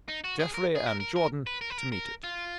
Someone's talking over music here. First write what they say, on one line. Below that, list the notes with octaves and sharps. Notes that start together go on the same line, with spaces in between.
Geoffrey and Jordan, to meet it.
D#4
F#4
G#4
A#4
G#4
A#4
A#4
A#4
B4
A#4
B4
A#4
A#4
F4